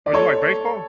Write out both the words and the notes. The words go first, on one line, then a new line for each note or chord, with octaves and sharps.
Oh, you like baseball?
D5
A4 C#5